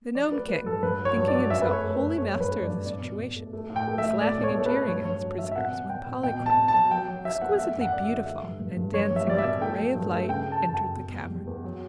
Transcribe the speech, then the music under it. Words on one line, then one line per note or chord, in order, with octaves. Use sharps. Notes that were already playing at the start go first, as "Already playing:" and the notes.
The Nome King, thinking himself wholly master of the situation, was laughing and jeering at his prisoners when Polychrome, exquisitely beautiful and dancing like a ray of light, entered the cavern.
F#3 D5
A3 B4
F#3 B4
G2 A4
G2 B4
F#3
C#5
G2
D5
F#3
F#2 E5
B4
A3
C#5
A3
B4
F#2
A3 C#5
G2
B4
A3
D5
G2
B2 D5
B2
B2
A3
A3
A2
G5
A3
E5
A2
A3 D5
B2
C#5
A3
B4
A3
G2 C#5
G2 C#5
F#3
F#3 E5
E5
B2 F#5
B2
B2 G5
B2
B2 G5
B2
A5
B2
A5
F#3
F#3 G5
F#3
F#3 E5
E2 F#5
A3 E5
F#2
F#5
F#2 D5
E5
D3
A3 E5
G2
G2
G2
G3 C#5
G3
E5
G3 D5
E5
B2
A3 G5
F#3
G2
A3
C#3 G5
A3
A5
F#2
A5
G5
F#2
B2
E2
G3
E2
F#3